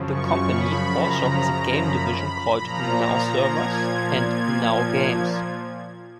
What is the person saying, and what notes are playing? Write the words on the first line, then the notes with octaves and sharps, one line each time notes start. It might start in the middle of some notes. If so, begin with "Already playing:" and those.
The Company also has a game division called "Now Servers" and "Now Games".
Already playing: F#2 C#3 F3
C#6
B5
A#5
B5
A#2 F3 A#5
G#6
G#6